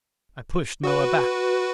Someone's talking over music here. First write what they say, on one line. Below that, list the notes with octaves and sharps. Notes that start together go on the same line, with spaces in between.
I pushed Moa back.
F#4 B4